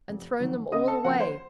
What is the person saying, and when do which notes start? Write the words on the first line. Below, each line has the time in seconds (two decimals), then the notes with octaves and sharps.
'And thrown them all away.
0.09 F1
0.40 F2 D#3 F#3
0.72 C#2 D#5 D#6
0.88 A4 A5
1.04 C#3 F3 A#3 F#4 F#5
1.20 C5